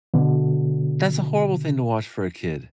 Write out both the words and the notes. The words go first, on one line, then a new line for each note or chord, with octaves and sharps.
That's a horrible thing to watch for a kid.
B2 D3